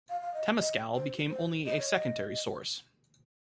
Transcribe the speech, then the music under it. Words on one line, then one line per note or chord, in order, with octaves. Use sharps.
Temescal became only a secondary source.
F5
F5
D#5
D#5
C5
C5
D#5
C#5
D#5